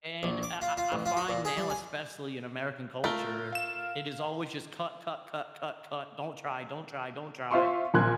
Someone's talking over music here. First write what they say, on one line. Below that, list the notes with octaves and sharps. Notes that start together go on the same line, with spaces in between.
And I I I find now, especially in American culture, it is always just, cut, cut, cut, cut, cut, don't try, don't try, don't try,
A#1
D6
F4
F4
A1
F4
F#4
A#2
G#4
G3
G#5
A3 F4 A#4 G7
F5 E7
F4 C5 E5 F5 C6 C#6
A#1 A#2 C6 F#6 G#6